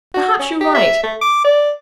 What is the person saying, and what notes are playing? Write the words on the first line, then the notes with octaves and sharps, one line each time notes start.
Perhaps you're right.
F#4
C#4
G4
E5
A3
D6
D5